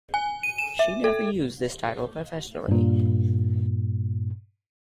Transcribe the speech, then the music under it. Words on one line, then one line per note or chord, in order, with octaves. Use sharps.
She never used this title professionally.
G#5
D#7
E7
E5
A4
G2 A#2